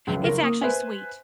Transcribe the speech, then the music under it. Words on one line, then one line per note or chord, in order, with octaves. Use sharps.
It's actually sweet.
C#2 F#2 C#3
F#1 A#4
A#3 D#6
B4 C5 E5 G#5